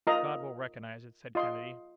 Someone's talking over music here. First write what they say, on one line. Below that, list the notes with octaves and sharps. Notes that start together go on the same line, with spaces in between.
"God will recognize it!" said Kennedy.
F4 A#4 D#5 A#5
F4 D#5 C6